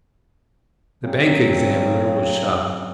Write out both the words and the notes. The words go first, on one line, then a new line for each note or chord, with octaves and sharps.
The bank examiner was shocked.
C#3 F#3 C4